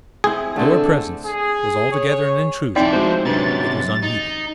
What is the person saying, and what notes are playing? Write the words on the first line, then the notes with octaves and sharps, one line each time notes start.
Though her presence was altogether an intrusion, it was unheeded.
C4 E4 G#4
D3 A3 C4
G#4
C#5
F3 C4 D#4 E4 D5 E5 G5
F#3 G#3 C5
F#2 C3 D4 B4 A6
D#4